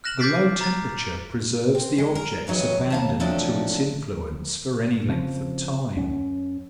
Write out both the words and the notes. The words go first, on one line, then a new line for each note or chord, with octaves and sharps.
The low temperature preserves the objects abandoned to its influence for any length of time.
F6 F#6 A#6 E7 F#7
D6 G6 A6 B6 C7 D7
A#5 A6
C4
G#3
A#4
F2 E3 F#3 C#5 D#5
D#2 F5 A5
C3 F3 F#3 A3 D4
C#3 F3 C4
F#2 C#4